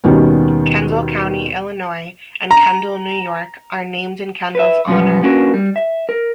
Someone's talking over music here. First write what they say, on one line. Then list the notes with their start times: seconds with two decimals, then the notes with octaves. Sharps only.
Kendall County, Illinois, and Kendall, New York, are named in Kendall's honor.
0.04 D#2 B2 D#3 G3 B3 C#4
2.51 A#5
4.55 B4 E5
4.88 F#2 B2 F3 G3 B3
5.23 A#3 B3 C#4 D4 F#4 A#4
5.54 G3
5.76 E5
6.09 A#4